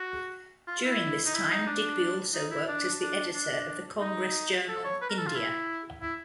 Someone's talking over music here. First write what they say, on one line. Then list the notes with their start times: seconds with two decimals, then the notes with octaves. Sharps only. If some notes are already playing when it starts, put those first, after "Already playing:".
During this time Digby also worked as the editor of the Congress journal "India".
Already playing: F#4
0.68 F4
0.84 E4
1.25 D#4
1.34 E4
1.51 D#4
1.67 D4
2.34 D#4
2.51 E4
2.68 D4
3.01 D4
3.34 D4
4.01 D#4
4.68 A4
4.84 C#5
5.01 B4
5.10 A#4
5.18 A4
5.27 F4
5.35 E4
6.02 E4